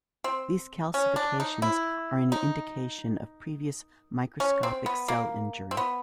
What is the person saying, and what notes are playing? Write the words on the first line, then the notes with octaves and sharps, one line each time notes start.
These calcifications are an indication of previous microscopic cell injury.
C4
C#4
D4
D#4
E4
D#4
C#4
C4
B3
A#3
C4
B3